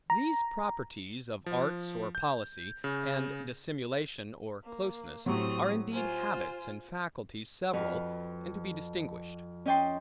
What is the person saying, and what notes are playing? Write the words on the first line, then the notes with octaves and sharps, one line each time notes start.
These properties, of arts or policy, and dissimulation or closeness, are indeed habits and faculties several, and to be distinguished.
A#5
F3
G6
C#3
A#3
A2 F#3 C4 G4 C#6 D#6
F4 C5 G#5
F2 F#4 B4 F6
C#4 D#5 G5 A5 C6